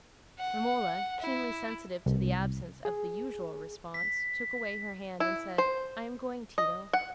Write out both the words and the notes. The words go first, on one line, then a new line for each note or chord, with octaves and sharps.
Romola, keenly sensitive to the absence of the usual response, took away her hand and said, "I am going, Tito."
F#5
E4
C2
G#4
B6
E4
C5
D#5
F#5